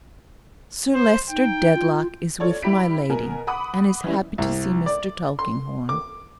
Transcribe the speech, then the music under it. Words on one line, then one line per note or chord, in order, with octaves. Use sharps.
Sir Leicester Dedlock is with my Lady and is happy to see Mr. Tulkinghorn.
C5
D#4 G5
F4
F4 A4 C#5 D5
G3 E4 G4 B5 B6 D7
B2 A#4 G#5
F#5 B5 D6 D#6
E3 G3 C#4 E4
C2
D5
C6
D6